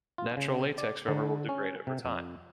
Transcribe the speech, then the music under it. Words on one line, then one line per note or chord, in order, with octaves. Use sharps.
Natural latex rubber will degrade over time.
F4
C#3
D5
D3
C#4
C3
F2